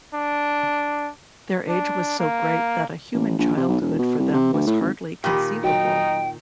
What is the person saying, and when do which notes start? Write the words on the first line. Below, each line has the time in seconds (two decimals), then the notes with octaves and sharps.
Their age was so great that a human childhood for them was hardly conceivable.
0.14 D4
1.69 D4
2.20 A#3
3.13 A1
3.39 A#1
3.57 C3
3.69 B1
3.81 E1
3.99 B2
4.19 C2
4.34 C3
4.54 D2
4.67 A2
4.81 G#1
5.24 A#2 D#3 G4 B5
5.64 F#3 D#4 G5